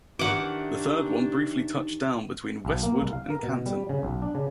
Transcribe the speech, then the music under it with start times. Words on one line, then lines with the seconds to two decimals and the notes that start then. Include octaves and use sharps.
The third one briefly touched down between Westwood and Canton.
0.19 D#3 E3 D4 G4 F#5 D6
2.65 B1
2.83 A#3
3.01 C2
3.13 F5
3.30 A#4
3.43 B2
3.66 G3
3.89 C#3
4.03 B1
4.22 D4
4.35 C#3